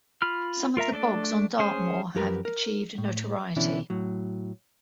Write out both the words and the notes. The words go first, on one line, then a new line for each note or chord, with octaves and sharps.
Some of the bogs on Dartmoor have achieved notoriety.
F4 B5 F6
F4 A#4 E5 A#5
A3 D4 A4 D5
C#4 G#4 C5
F#2 F3 G4 A#4 B4 A#5
A#4
A2
B2 D3 E3 C#4 D4 E4
A2 F#3